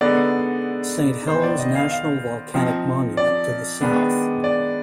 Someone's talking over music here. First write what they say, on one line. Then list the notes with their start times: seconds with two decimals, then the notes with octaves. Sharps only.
Saint Helens National Volcanic Monument to the south.
0.01 D3 G#3 B3 D#4 D5
1.27 D#3 B3 D#4 C5
1.43 D5
1.59 D#5
1.75 F5
1.91 F5
2.54 F3 C4 D#4
3.17 D5
3.81 D#3 G#3 B3 D4
4.44 D5